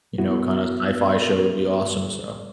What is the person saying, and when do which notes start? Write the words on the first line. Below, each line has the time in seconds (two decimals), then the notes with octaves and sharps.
you know, kinda sci-fi show would be awesome, so.
0.18 B3 E4 F#4